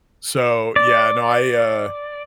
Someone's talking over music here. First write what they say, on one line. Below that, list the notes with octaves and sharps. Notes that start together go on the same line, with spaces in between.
So yeah. No, I, uh,
D5